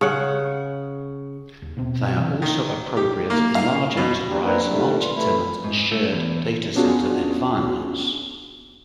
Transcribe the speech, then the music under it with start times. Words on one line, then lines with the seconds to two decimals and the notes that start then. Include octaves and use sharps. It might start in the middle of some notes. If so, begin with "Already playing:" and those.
They are also appropriate in large enterprise, multi-tenant and shared data center environments.
0.01 C#3 F#5
1.62 D#2
1.77 B2 C4
2.17 C3 E3
2.42 D#3
2.97 G4
3.30 A#3
3.55 F5
3.97 B2
4.28 A#3 D4 G4
4.44 A#3 C4 D4 E4 A#4 B4
4.69 C3 D#3 G3 A3
4.97 E3 F4
5.13 E3 A3 E4
5.64 G#2
5.92 A3
6.12 E2
6.75 B3 C#4 D4 F4 F#4 G#4